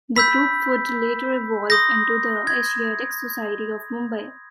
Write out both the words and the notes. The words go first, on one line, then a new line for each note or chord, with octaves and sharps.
The group would later evolve into the Asiatic Society of Mumbai.
B5 E6 G6 B6
C6 D#6 G6 A#6
G#6